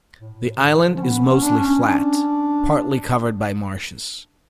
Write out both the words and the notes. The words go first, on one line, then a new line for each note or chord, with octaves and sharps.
The island is mostly flat, partly covered by marshes.
A2
A2
D3
F3
C#4
B3
C#4
D4
C#4
D4